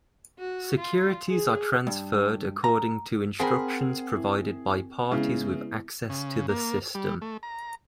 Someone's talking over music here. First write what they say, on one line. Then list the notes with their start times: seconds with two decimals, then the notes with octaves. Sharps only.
Securities are transferred according to instructions provided by parties with access to the system.
0.39 F#4
0.79 F4
1.28 G#4
1.87 G2
2.64 A#5
3.40 C4 G#4 A#4 F#5 B5
4.16 E4
5.12 C#3 G#3 B3 E4
6.10 C#3
6.49 A#3
6.95 G3
7.21 A3
7.43 A#5